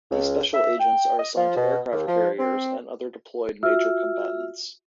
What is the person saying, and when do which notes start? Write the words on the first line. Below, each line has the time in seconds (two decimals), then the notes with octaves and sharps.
These special agents are assigned to aircraft carriers and other deployed major combatants.
0.11 C#2
0.54 E5
0.80 G5
1.19 D#5
1.36 F3
1.56 B2
1.92 D#2
2.07 F3
2.39 C4
3.63 F4 F#4 E5 E6 F6